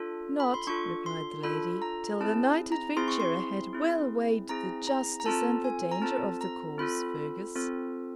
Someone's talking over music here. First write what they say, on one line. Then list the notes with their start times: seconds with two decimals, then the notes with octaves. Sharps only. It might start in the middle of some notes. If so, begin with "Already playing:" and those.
'Not,' replied the lady, 'till the knight adventurer had well weighed the justice and the danger of the cause, Fergus.
Already playing: D4 F4 A4
0.40 B5
0.54 C6
0.67 D4 F4 A4 C#6
1.06 C6
1.43 D4 F4 A4 B5
1.82 A#5
2.20 C4 E4 G#4 A5
2.72 A#5
2.97 C4 E4 G#4 C6
3.08 C#6
3.20 C6
3.73 C4 E4 G#4
4.49 C4 E4 G#4 A#5
4.87 A#5
5.20 A#5
5.26 C4 F4 A4 A5
5.64 G#5
5.92 A#5
6.02 C4 F4 A4 A5
6.41 A#5
6.78 C4 F4 A4 B5
7.55 C4 F4 A4